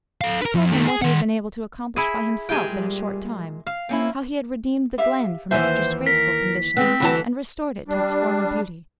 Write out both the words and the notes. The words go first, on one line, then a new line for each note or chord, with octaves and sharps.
He told them what he had been able to accomplish by himself, in a short time; how he had redeemed the glen from its disgraceful condition and restored it to its former beauty.
A4 F5
A#4 B4
F2
D#3 A3
G#4
D#3 F#5
E4 G#4
A#2 G#3 G4 G5 G#5
G3
F5
A#3 C4 C#4 E4
G4 E5 F5
D#2 E3 C5 E5 F#5 G#5
A#4 B6
G#3 B3 C4
D2 E3 G3 F#4 G4 A4
G3 D4